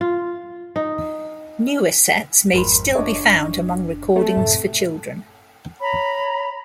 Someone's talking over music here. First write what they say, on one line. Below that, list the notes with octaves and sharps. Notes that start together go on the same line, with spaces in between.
Newer sets may still be found among recordings for children.
F4
D#4
G#1 F2 G#2 A#4 B5 C6
F#1 C#4 D4 C#5 D#5 D6
A3 C4
F#2 A2 C3 A5
C#5 A#5 B5